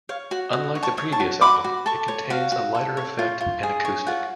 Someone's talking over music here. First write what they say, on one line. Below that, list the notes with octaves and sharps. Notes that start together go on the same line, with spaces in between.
Unlike the previous album, it contains a lighter effect and acoustic.
C#5 F5
F#4 F#5
F#4
C#5
A5 C#6
C#5
A5 C#6
F#4
F#4 B5 D6
F#4
A4 A5 C#6
C#5
F#4 F5
F#4
A4
C#5
F4
F4
G#4
C#5
F4 F#5